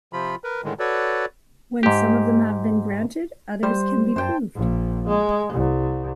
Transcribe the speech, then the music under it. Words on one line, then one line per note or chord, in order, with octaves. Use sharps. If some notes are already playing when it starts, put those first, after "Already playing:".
When some of them have been granted, others can be proved.
C3 F3 F4 B5
A#4 B4
A2 D3 D#3 G#3
F#4 A4 B4 C#5 D5
G#2 G4
G3 C5
F#2 C5 G5 A5
A#1
G#3
C2